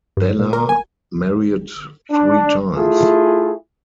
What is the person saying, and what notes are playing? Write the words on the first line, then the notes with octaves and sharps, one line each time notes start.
Ballard married three times.
G2
A#2
A#4
G#5
D4
A3 E4 F4 G#4